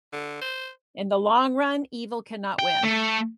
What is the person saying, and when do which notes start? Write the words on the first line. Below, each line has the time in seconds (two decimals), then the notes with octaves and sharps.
in the long run, evil cannot win.
0.13 D3
0.41 C5
2.59 G5
2.83 A3